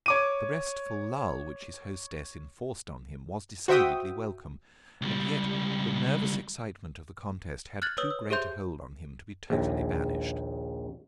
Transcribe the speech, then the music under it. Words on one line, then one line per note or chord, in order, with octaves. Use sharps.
The restful lull which his hostess enforced on him was decidedly welcome, and yet the nervous excitement of the contest had too great a hold on him to be totally banished.
C#5 D6 D#7
F#4 C5 E5 G5 D#6
C#2 G3
F6 F#6 G#6 A6 F#7
B4 C#5 D#6 E6 F#7
E6
G4 G#4 C5 E5 C6 G6
A#1 D#2